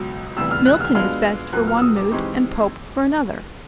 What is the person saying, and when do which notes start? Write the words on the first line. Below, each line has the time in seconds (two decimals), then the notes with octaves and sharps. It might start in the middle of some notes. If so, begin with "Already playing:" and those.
Milton is best for one mood and Pope for another.
Already playing: C#2 B2 F#3
0.37 D2 C3 E3 G3 B3 E6
0.51 F6
0.66 F#6
0.80 F6
0.95 B2 G#3 B3 D4 F4 F6
1.53 A#2 F#3 B3 F#6
1.67 F6
1.77 E6
1.82 D#6
1.96 D6
2.11 E3 G#3 C4 D#4 G4 C#6